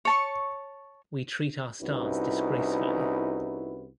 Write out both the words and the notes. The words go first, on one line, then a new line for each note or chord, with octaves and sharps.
We treat our stars disgracefully.
C#5 A5 C#6
C2 C#4 D#4 E4 F#4 B4